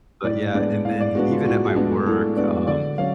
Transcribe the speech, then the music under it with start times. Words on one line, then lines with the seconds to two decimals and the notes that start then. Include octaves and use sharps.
but yeah, and then even at my work, um,
0.24 A2 D5
0.55 G#3 B3 D4 D5
0.85 A2 F5
1.00 D5
1.15 G#3 B3 D4 F#4
1.31 F4
1.46 A2 F#4
1.65 G#4
1.76 G#3 B3 D4
1.86 A4
2.06 A2 A4
2.37 G#3 B3 D4 D5
2.67 D3 D5
2.98 F#3 C#4 F5